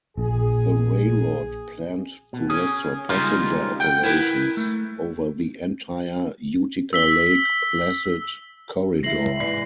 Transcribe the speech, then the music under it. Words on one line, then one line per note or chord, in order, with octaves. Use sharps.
The railroad planned to restore passenger operations over the entire Utica-Lake Placid corridor.
A#1 G#4
B2
C#4 G#4
C#3 G3 G#3 A#3 D#4 F4
F#5 G5
E4 A#4 B4
A3
E6 B6 G7
F3 G#3 E4 A#6 C7 F#7
G#2 C3 E3 E4 D5